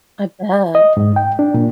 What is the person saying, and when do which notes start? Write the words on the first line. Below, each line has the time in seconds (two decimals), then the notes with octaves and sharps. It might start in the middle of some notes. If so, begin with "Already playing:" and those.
I bet.
0.75 D#5
0.97 G#2
1.16 G5
1.39 D4
1.54 A#2